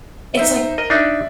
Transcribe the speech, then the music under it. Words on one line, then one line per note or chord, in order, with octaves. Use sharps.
it's, like
D#4 C5 E5
A#4 D#5
D4 D#4 D5 E5